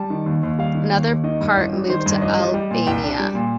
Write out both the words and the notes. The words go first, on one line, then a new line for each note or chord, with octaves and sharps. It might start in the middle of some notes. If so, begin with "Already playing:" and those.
Another part moved to Albania.
Already playing: G3 A5
D#3
D#2
D#2
G3 F5
D#3
D#2
D#2
D#3 D#5
G2
A1
G3
D#3 C5
C5
G2
D5
A1 D#5
G3
G3
A#2
C2 G5
D4
G3
A#2